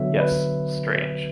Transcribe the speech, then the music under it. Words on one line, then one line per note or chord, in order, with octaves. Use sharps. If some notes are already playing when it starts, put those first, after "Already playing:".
Yes, strange.
Already playing: D3 F#3 B3 E5
B4